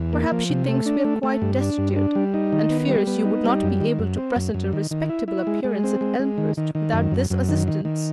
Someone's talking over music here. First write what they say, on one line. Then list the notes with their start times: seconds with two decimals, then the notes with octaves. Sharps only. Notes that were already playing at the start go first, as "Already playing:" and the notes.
Perhaps she thinks we are quite destitute, and fears you would not be able to present a respectable appearance at Elmhurst without this assistance.
Already playing: E2
0.13 A#3
0.32 F3
0.50 C3
0.68 A3
0.86 D4
1.05 A3
1.23 A3
1.42 G2
1.61 D4
1.78 G2
1.96 D4
2.15 G3
2.34 D#4
2.53 D#3
2.70 B3
2.88 G3
3.07 B3
3.25 D#4
3.44 G3
3.63 F#2
3.80 D#3
3.99 F#2
4.18 C4
4.36 F#2
4.54 F#2
4.73 D#3
4.91 D#3
5.10 E4
5.28 E4
5.47 G#3
5.64 G#3
5.84 C4
6.01 G#3
6.19 G#3
6.38 D#3
6.57 D#3
6.75 D#3
6.93 F#2
7.11 F#2
7.30 F#2
7.49 D#3
7.68 D#3
7.85 D#3